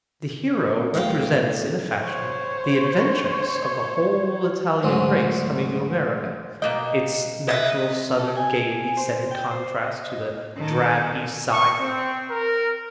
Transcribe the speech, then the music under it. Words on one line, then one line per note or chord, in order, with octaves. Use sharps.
The hero represents in a fashion the adventures of the whole Italian race coming to America: its natural southern gayety set in contrast to the drab East Side.
D#2 A2 A3 F5 G5
C5 C#5
D2 G#2 F#3 G#3
B2 A#3 D#5 G5
B4 D#5 E5
C3
A4
G#5
C5
G5
C5
D#5
D#3 A4
C#6
C4
A#4